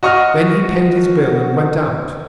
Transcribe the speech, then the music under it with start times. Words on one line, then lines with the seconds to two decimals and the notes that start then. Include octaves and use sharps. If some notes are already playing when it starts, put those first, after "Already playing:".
Then he paid his bill and went out.
0.03 F#4 D#5 C#6 D#6 F6